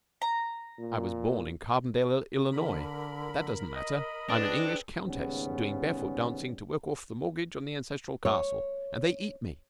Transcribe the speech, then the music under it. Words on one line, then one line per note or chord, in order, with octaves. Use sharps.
I was born in Carbondale, Illinois, but that doesn't matter--I'm an English countess, doing barefoot dancing to work off the mortgage on the ancestral castle, and they eat me.
A#5
A#2
D3 A#4 B5
D#5
C4 D4 G#4 A4 B4
D#2 G#2 C#3 G3 B3 C#4
C#5